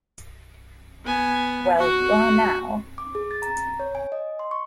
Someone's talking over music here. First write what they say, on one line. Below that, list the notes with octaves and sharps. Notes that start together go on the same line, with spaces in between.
Well, you are now.
B3 G#5
F#4
D6
G#4
A6
A#5
C#5
G#5
D#5
C6
C#6